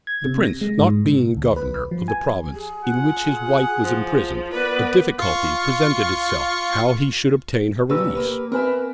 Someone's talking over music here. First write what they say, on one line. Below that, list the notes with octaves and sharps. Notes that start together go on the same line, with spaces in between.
The Prince not being governor of the province in which his wife was imprisoned, a difficulty presented itself how he should obtain her release.
G#6
C3
A#6
G#3
G#2
C3
D2
B4
F3
G#5
G4 G#4
F4 F#5
F3
B3 A#4 B4 D5
F4 C#6
A#2 C#3 G4 B4 E6
A#3 A#4 B4
C4 A#4 B4 E5 G#5